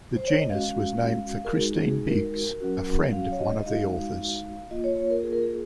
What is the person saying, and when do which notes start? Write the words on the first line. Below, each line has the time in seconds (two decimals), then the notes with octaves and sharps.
The genus was named for Christine Biggs, a friend of one of the authors.
0.16 C5
0.27 C#5
0.39 D#5
0.50 G#3 C#4 F#4 F5
1.45 A#4
1.55 G#3 D#4 F#4 G#4
1.81 G#4
2.08 A#4
2.60 F#3 C#4 F#4
3.13 F5
3.32 C#5
3.39 D#5
3.59 D#5
3.66 G#3 D#4 F#4 F5
4.71 A#3 F4 D#5
4.84 C#5
4.97 C#5
5.10 A#4
5.23 G#4
5.33 A#4
5.43 G#4